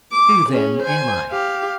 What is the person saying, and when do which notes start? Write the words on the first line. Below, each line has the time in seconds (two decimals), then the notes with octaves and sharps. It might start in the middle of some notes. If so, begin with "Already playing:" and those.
"Who, then, am I?"
0.12 D6
0.49 C#4 G#4
0.82 C5 G#5
1.31 G4 F5